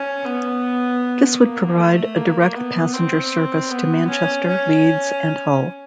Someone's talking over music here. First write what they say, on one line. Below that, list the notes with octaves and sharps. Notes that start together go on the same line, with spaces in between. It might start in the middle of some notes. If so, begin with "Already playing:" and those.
This would provide a direct passenger service to Manchester, Leeds and Hull.
Already playing: C#4
B3
A#3
A3
A#3
B3
C4
B3
C#4
C#4